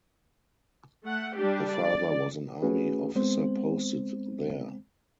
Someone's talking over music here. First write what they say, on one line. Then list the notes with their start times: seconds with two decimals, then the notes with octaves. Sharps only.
Her father was an army officer posted there.
1.05 A3 F#5
1.37 G3 D4 G4
1.72 D5
2.62 A3 C#4 F#4 G#4 B4
3.16 G#3 B3 C4 C5